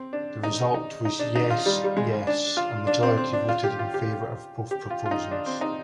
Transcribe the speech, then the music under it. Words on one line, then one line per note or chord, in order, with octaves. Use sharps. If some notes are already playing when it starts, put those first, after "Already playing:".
The result was 'Yes-Yes': a majority voted in favour of both proposals.
Already playing: C4
D4
D#4
D#4
D#4
D4
D#4
F4
G3
G3
G#3
D4
F4
D4
C4
C4
D4
F4
G4
F4
G4
G4
F4
F4
D#4
D4
C4
D#4